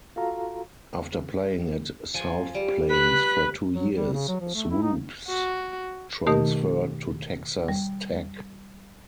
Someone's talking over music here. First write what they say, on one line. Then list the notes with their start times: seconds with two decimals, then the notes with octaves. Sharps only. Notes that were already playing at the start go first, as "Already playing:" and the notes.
After playing at South Plains for two years, Swoopes transferred to Texas Tech.
0.16 F4 F#4 A4 F5 A#5
2.14 F3 G#5
2.54 G3
2.90 B4 F#6 B6
3.73 F#3
3.95 G3
4.13 C#3
4.28 F#3
4.41 F3
4.55 A3
4.71 E4
4.82 D#4
5.28 F#4
6.27 B2 D#3 A3 D#4 G4 A#4
7.68 G3